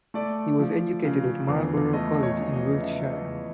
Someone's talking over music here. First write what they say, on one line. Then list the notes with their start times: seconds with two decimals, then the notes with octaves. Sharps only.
He was educated at Marlborough College in Wiltshire.
0.14 A3 D5
0.59 F3
1.05 C#3
1.48 E2
1.93 A3 D#5
2.23 C#5
2.38 F3
2.53 D#5
2.82 C#3 E5
3.12 D#5
3.27 E2